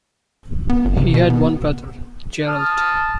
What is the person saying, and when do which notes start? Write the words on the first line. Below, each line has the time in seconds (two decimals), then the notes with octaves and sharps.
He had one brother, Gerald.
0.70 B3
0.85 G1
0.97 C3
1.14 B2
1.30 B3
2.47 A5 D#6 F6